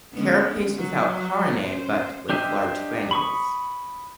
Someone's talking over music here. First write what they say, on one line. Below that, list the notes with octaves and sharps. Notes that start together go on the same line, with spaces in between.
Carapace without carinae but with large granules.
D3 G#3 B3 C#4
F#3
C#4 C5
D4 G4 C5 D#5 E5
B5 C#6 D#6